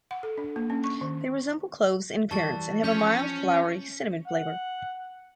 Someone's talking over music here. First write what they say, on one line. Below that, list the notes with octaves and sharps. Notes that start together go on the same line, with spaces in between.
They resemble cloves in appearance and have a mild, flowery cinnamon flavor.
F#5
A4
D4
A#3
C#4
C#6
D#3
E3 G3 G4 A5 C#6 A6
F3 C#4 C#5 G6 B6
F#5